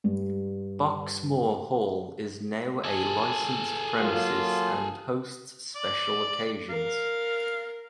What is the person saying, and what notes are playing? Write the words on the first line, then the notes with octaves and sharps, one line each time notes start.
Boxmoor Hall is now a licensed premises and hosts special occasions.
G2 G3
G#4 A4
F#3 A#3 F4
D5
A#4 F5